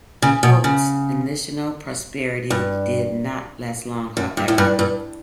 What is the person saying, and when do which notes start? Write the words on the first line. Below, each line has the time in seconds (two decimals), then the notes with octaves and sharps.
Eholt's initial proseperity did not last long however.
0.22 C#3
0.43 B2
0.64 C#3
2.50 G2
4.17 F#2
4.37 G2
4.48 A2
4.58 G2
4.79 G2